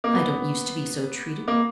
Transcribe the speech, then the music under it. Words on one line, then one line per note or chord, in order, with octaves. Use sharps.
I don't use to be so treated.
A#3
B3
A#3